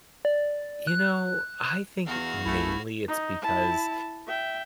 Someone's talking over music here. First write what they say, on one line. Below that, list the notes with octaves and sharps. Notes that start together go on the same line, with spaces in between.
You know, I think mainly it's because
D5
F#6
E2 F#4 F5
B1 E2 A3 E4
D#4
E4 A5
E5 G5